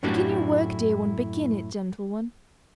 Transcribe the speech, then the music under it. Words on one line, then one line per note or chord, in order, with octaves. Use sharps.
Begin your work, dear one, begin it, gentle one!...
F#2 A2 D4 E4 F#4 G4